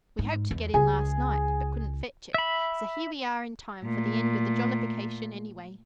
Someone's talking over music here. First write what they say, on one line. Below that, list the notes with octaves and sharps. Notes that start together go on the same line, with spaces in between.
We hoped to get in last night, but couldn't fetch it, so here we are in time for the end of the jollification, anyway.'
G#2
E2
C#2 G#4 G#5
E5 B5
A#2 A3